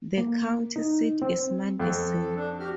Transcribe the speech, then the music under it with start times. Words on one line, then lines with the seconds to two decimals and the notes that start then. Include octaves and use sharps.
The county seat is Madison.
0.18 A#3
0.76 D#4
1.22 C4
1.80 F2 A4
1.93 A4
2.07 A4
2.36 D4
2.60 F#4 G4 F6